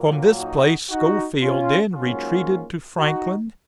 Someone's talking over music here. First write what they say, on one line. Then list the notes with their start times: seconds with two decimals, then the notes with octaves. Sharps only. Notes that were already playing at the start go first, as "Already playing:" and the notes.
From this place Schofield then retreated to Franklin.
Already playing: A#2 F#3 A#3
0.38 D#4 F#4
0.90 D#4 F#4
1.41 C#4 F4
1.94 G#2 F#3 A#3 C#4 F4
2.98 D#4 F#4